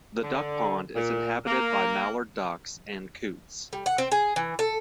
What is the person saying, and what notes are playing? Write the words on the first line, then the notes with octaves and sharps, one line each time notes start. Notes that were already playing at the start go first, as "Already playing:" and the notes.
The duck pond is inhabited by mallard ducks and coots.
D3
A#2
A#3
G3
F#5
C4
G#4
E3
A4